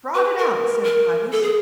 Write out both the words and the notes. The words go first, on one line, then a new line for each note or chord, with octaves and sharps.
"Trot it out," said Pybus.
B4
A#4
A#4
A4
G#4